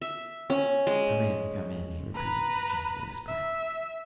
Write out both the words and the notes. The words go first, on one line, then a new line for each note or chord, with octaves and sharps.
"Come in, come in!" he repeated in a gentle whisper.
E5
C#4
G#3
B4 A#5
E5